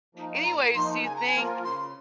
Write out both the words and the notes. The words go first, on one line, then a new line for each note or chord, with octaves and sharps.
anyways, do you think
F3 A#3 D#4
A#2 A#5
F3 A#3 D#4 C6
C#3 G#5
A#5
G#5
F3 A#3 F4 A#4
C#3 C6